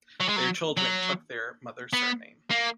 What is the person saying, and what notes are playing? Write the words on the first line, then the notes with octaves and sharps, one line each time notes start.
Their children took their mother's surname.
F#3
G#3
F#3
F#3
B3
A#3